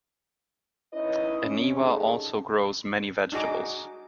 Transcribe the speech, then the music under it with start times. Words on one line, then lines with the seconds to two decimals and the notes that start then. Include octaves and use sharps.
Eniwa also grows many vegetables.
0.93 C#4 D#4 E4 B4 C#5 D#5
1.44 C#4
1.78 A3 D4 D#4 G4 G#4
3.32 D4 D#4 F#4 G#4 D6